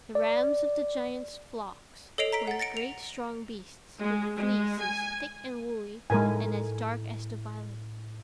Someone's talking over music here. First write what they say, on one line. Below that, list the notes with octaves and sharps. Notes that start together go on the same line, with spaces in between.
The rams of the giant's flocks were great strong beasts, with fleeces thick and woolly, and as dark as the violet.
D5
A4 C#5 D#5 C7 D7 F7
A#5 B6 D7
F#5 A6
A6 A#6 C#7 D7
F7
G#3
G#3
G#5
A2 G#3 A#4 G#5